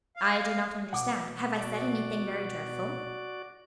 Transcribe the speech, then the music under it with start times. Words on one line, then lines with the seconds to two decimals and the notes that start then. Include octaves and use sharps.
"I do not understand; have I said anything very dreadful?"
0.17 F5
0.93 B2 F#5 D6
1.59 F#4 D5